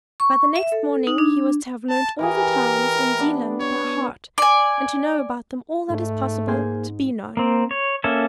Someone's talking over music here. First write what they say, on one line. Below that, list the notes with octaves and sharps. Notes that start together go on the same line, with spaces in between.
By the next morning he was to have learnt all the towns in Zealand by heart, and to know about them all that is possible to be known.
C#6
E5
A4
D#4
D4
A5
E3 G4 G#4 A#4
B3 D4
C#5
D5 G#5
G#2 A3
A#3 G#4 C5
A#3 C4
C#5
A#3 C#4 A4 E5